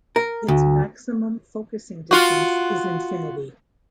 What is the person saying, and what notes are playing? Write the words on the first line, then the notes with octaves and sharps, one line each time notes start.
Its maximum focusing distance is infinity.
A#4
D2
F4 F#4